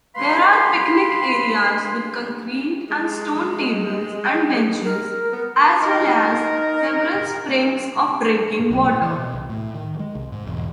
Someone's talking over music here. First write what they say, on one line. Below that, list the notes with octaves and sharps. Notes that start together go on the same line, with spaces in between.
There are picnic areas with concrete and stone tables and benches as well as several springs of drinking water.
B4 F5 B5 C6
G#3
A#4
B3
D#4 A#4
B1
A2
E3
B2
C2
A2
D#3
G#3
C2
G#2
E1